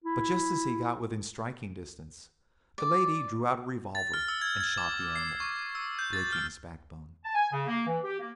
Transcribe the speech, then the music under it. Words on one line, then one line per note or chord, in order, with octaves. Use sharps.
But just as he got within striking distance, the lady drew out a revolver and shot the animal, breaking his backbone.
E4
D5
A6
F6
E6
G#6
G#6
D6
C7
C#6
E6
G6
A6
F6
A5
G#5
C#3
A#3
E3
G4
A#3